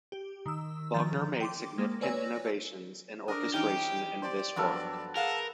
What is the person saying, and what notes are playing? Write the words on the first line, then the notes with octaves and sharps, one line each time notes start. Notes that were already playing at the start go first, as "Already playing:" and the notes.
Wagner made significant innovations in orchestration in this work.
G4
D#3 E6
D#3 F3 A#5 G6 A6
G5 C6 D6
G#3 A#3
B4 C#5 D5 G#5 E6 A#6
D4 A#4 D6 D#6
E3 C#4 D#4 G4 G5
C5 D5 C6
G2 F3 F#3 B3 A4
G#4 A#4 F5 F#5 A5